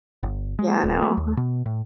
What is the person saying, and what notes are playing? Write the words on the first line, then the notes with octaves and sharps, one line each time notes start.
Yeah. I know, huh.
G1
G#3
D#1
A3
D#2
B2
A2